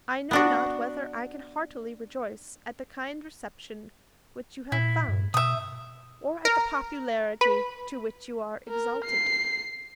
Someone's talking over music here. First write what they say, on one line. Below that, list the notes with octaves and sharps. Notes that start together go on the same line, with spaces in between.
'I know not whether I can heartily rejoice at the kind reception which you have found, or at the popularity to which you are exalted.
B3 D4 F#4
A#2 E4
G2
B2 E5 D#6
A#4
B4
A#4
C7